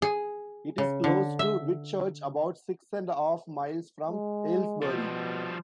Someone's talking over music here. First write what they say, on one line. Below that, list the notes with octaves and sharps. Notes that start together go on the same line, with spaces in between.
It is close to Whitchurch, about six and a half miles from Aylesbury.
G#4
C#3
D3
E5
G#3
B2 F3 G3